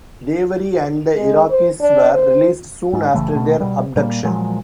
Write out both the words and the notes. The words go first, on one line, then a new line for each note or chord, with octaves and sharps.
Dewari and the Iraqis were released soon after their abduction.
G#3
C5
D4
C5
G#2
F#1 C#3 E3 A3
B2 A3
B2 G3
A#2 G3 G#3 A#3
A#2 F3 F#3 G#3